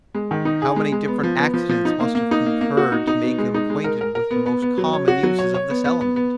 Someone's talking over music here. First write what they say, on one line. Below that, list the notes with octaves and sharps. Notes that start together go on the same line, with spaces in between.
How many different accidents must have concurred to make them acquainted with the most common uses of this element?
G#3
D#3
D#4
G#4
G#3
G#3
B3
F3
B3
F3
F3
D#4
A#3
A#3
D#4
A#3
A#3
F#4
D#4
D#4
B2
G#3
D#4
G#3
A#4
A#4
A#4
B3
B3
B3
F#3
C#5
F#4
F#3
C#5
C#5
B3
B3
B3
B3